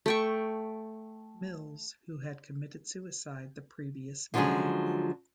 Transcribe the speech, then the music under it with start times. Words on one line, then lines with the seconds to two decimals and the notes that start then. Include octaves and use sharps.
Mills, who had committed suicide the previous May.
0.06 A3 G5 C#6
4.34 D3 F3 F#3 G#3 C#4 G#4